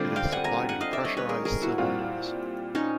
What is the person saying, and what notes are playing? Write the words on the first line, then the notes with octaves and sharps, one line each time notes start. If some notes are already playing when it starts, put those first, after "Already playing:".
It is supplied in pressurized cylinders.
Already playing: D3 G3 C4 F4 C5 D5
F5 G5
F#5 G#5
G#5 A#5
F#5 G#5
D#5 F5
D5 E5
C#5 D#5
B4 C#5
G#4 A#4
G#4 A#4
E4 F#4
A#2 G3 C4 F4
C#4 D#4